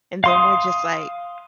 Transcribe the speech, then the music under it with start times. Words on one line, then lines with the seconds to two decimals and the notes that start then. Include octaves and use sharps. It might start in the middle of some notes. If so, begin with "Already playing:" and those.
and then we're just, like,
0.24 F5 C6 D#6